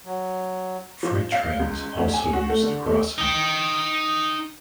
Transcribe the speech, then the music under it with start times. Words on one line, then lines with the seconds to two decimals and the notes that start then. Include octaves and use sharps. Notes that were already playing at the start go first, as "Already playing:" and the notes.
Freight trains also use the crossing.
0.05 F#3
1.03 F3
1.32 F5
1.60 C#2
1.97 D2
2.14 G#5
2.33 F#4
2.49 A3
2.63 D3
2.86 A3
3.18 D#4 G5